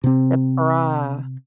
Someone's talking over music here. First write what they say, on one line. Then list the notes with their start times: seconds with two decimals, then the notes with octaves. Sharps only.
The bra.
0.04 C3 C4